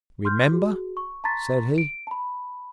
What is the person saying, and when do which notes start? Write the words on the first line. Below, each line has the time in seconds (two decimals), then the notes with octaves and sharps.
"Remember!" said he.
0.25 C6 F6 G6
0.52 F#4 G#4
0.97 C#6
1.24 A5 A#5 C6 C#6 A6 B6
1.78 D7
2.07 A5 B5